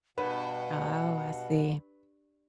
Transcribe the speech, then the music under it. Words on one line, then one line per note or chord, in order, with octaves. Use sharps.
Oh, I see.
G2 B2 B4 F#5